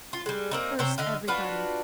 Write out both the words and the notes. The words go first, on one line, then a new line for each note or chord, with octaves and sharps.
Curse everybody!
F4
G3 G#3
A#3 C4 D#4
C3 C4 C5 C#5
D3 D#5 F5
D4 F4 F#4 B4